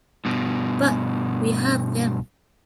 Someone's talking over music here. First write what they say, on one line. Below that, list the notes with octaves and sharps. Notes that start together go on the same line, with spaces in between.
But we have them!
G2 B2